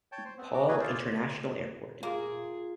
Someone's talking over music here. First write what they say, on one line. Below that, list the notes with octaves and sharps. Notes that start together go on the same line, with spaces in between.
Paul International Airport.
C#5 G5 A5
C5
B3 C4
B3 F#4 D6
A#3 F#4 G#4 B4
E4 F4 G#4 C5 D5
A#3 F4 G#4